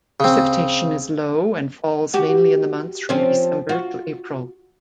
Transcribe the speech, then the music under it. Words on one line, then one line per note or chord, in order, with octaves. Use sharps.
Precipitation is low, and falls mainly in the months from December to April.
C#3 C4
F#4 G4
F3 C4 C#4
F4 F#4